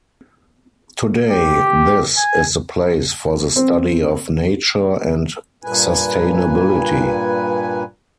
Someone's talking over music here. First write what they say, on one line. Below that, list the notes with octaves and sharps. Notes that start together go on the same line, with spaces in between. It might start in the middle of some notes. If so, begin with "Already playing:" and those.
Today this is the place for the study of nature and sustainability.
G4
G#5
C4
G2 A#2 B4 G#5